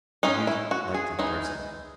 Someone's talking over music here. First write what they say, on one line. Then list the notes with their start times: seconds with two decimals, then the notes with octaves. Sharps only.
The youth liked him personally.
0.23 G#3 C#4 D#4
0.47 E4
0.71 F#4
0.94 G#4
1.19 E3 G#3 D#4